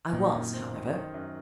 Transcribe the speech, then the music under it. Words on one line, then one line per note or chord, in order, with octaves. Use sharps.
I was, however.
A#2 D#3
F#2
C4
D#3
D#3
F#2